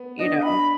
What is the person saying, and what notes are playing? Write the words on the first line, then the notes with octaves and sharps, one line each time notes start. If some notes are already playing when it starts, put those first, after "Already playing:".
you know.
Already playing: B3
D4 D#5
B5